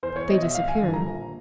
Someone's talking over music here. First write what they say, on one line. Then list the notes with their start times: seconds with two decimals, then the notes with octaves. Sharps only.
They disappeared.
0.03 E2 C5
0.16 C#5
0.29 B2 F#3 D#5
0.42 E5
0.55 G#1 F5
0.68 G#5
0.81 G2 D3 F3 A#3
0.94 A#5
1.07 A#1